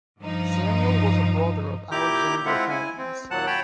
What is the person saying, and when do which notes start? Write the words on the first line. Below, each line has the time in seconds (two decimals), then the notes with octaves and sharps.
Samuel was a brother of Alexander Holmes.
0.18 G2 F3 D#4
1.91 A#2 E4 G4 A#5 D6 G6
2.46 G#3 C4 E4 F4 E5 F#5
2.69 E4 G#5
2.98 C4
3.31 D#2 A#2 F#3 F#5 A5 F#6
3.47 C#5 G5 A5 B5